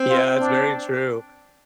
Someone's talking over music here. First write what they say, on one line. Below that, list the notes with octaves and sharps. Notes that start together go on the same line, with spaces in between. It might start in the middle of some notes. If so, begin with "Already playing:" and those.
Yeah, it's very true.
Already playing: C4
F4
D4